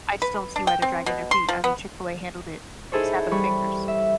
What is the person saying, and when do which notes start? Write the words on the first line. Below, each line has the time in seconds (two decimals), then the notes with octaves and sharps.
I just don't see why they're dragging their feet. I mean, Chick-fil-A handled it, snap of the fingers.
0.22 B4
0.56 D4
0.67 G5
0.82 C4
1.06 B2
1.31 C6
1.49 F3
1.64 B3
2.92 D#4 E4 G#4 A4 C5 C#5
3.31 E3 G3 B5 C#6
3.88 E5